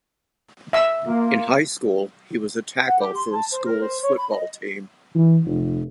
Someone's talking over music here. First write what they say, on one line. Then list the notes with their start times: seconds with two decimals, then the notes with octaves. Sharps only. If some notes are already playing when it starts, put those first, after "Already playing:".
In high school, he was a tackle for his school's football team.
0.73 E5 E6
1.07 A#3 F4
2.87 F#5
3.00 G4
3.15 C6
3.32 A5
3.52 C5
3.65 A#4
3.81 C5
4.02 C#5
4.17 B5
4.30 D#5
5.15 E3
5.44 F1